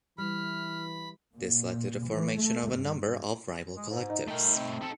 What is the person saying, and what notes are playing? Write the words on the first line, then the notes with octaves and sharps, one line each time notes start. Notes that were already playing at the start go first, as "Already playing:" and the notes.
This led to the formation of a number of rival collectives.
E3 G3 B5 F6
A#2
E3
A3
G2
G#3
G#2
D#4
A3 A#4 G5
C4
D#4 A4